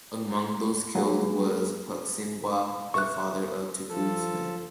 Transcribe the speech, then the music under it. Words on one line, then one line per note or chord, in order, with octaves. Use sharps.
Among those killed was Pucksinwah, the father of Tecumseh.
F#3 G#3 A#3 F#4 G#4 B4
E5 C#6 F#6
F3 A4